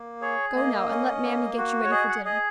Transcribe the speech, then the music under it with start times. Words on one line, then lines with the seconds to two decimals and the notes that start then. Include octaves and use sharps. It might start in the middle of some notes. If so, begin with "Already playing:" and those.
"Go now and let mammy get you ready for dinner."
Already playing: A#3
0.21 G#4 C#5
0.55 A#3 D#5
0.89 C#4
1.24 A#3
1.57 F#4
1.84 C#5
1.91 G#4 D#5
2.09 F#5
2.25 G#4 D#5